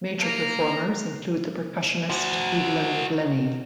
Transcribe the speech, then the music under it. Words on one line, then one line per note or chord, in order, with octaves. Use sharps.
Major performers include the percussionist Evelyn Glennie.
A#3 A#5
F#4 C5